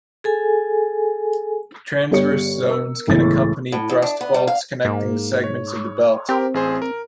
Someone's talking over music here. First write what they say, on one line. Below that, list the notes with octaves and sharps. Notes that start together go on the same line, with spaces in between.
Transverse zones can accompany thrust faults connecting the segments of the belt.
G#4 A4 G#5
G1 G3 C#5 C#7
A#4 E6
G1 C#2 A2 E3 E4 A6
A2
E2
D4
B3
G3
F5
G#2 A#3
C#5
C4 G4 A#4
A1 G#4 C5
A#4